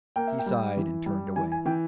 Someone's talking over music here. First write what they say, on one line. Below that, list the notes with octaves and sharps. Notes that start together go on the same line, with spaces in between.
He sighed and turned away.
A#3 G5
E5
G5
G3
E3
G3
E3 G#5
G#5
E3 G5